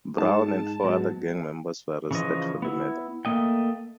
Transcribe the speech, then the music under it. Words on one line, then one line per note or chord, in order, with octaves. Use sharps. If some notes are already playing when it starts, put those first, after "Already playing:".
Brown and four other gang members were arrested for the murder.
G#2 D#4 G#4 A5
G#2 F#3 B3
C#3 E3 F3 D#5
B3 E4
A3 A#3 D#5 G5